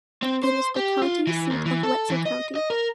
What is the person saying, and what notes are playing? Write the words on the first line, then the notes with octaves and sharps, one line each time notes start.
It is the county seat of Wetzel County.
C4
C5
G4
F4
E3
D#2
E3
A4
E3
D#5
D#5
A#4